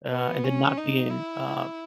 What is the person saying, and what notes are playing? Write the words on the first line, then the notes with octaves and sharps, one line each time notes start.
uh, and then not being, uh
B3
C#4
D#4
E4